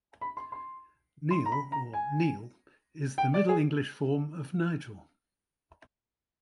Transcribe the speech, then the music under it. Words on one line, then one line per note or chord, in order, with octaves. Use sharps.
"Neal" or "Neall" is the Middle English form of "Nigel".
B5
C6
C6
C6
A#5
B5
A#5
G#5
G5
D5
G#4